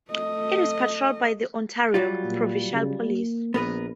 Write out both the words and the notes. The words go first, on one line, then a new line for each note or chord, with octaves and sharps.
It is patrolled by the Ontario Provincial Police.
A3 D#5
F#3 G3 F4
A#2
C#3
A#3
A#1 B3 A#4 B4